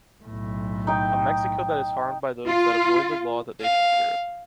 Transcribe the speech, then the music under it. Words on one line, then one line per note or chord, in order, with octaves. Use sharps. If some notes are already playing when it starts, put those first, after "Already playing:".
A Mexico that is harmed by those that avoid the law that they should serve.
B1 A2
D#4 G5
F4
F5